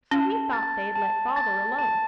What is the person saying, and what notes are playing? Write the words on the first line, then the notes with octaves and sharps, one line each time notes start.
So he thought they'd let Father alone.
C#4 A5
A6
A5
A6
A5